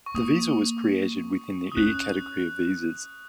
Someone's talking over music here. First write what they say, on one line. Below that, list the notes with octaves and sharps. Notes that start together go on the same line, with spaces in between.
The visa was created within the E category of visas.
C#6
A#3 D#6
D#6
C#4 F#6